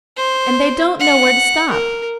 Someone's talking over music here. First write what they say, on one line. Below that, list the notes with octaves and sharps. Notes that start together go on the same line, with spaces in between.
And they don't know where to stop.
C5
F#5
A#4